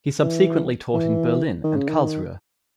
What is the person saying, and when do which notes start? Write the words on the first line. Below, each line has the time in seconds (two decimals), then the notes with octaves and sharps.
He subsequently taught in Berlin and Karlsruhe.
0.23 E3
0.93 E3
1.64 D#3
1.76 C#3
1.89 D#3